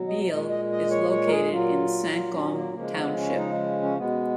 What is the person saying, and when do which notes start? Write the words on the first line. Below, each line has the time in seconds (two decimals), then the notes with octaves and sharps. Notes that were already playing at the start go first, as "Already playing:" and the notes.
Biehle is located in Cinque Hommes township.
Already playing: B2 F#3
0.08 D#5
0.29 A#2 G#3 D#5
0.50 D#5
0.72 D#5
0.90 C#5
1.11 C#5
1.27 A#4
1.31 G#4
1.52 A#2 F#3 F4
2.13 F4
2.34 C#4
2.54 A#3
2.75 C#3 F3 G#3 A#3
2.96 B3
3.16 C#4
3.37 D#4
3.82 C#4
3.98 B2 G#3 B3